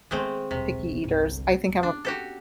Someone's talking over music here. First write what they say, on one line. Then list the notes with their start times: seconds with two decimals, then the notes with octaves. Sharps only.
picky eaters, I think I'm a p
0.11 D#3 G#3 A3 B3 C4
0.51 D#1 B1 C3
1.04 G1 C2
1.68 E1 A3
1.83 B3 C#4 D4
2.05 F#4 G4 A4